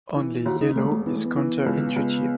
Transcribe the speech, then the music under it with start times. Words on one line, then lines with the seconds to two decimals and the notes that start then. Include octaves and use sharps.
Only yellow is counter-intuitive.
0.16 E3
0.46 D#2 F#4
0.61 D#4
0.76 E1 A3
0.92 A3
1.06 E3 B3
1.16 A3
1.25 B3
1.36 E3
1.66 C#2
1.96 C#2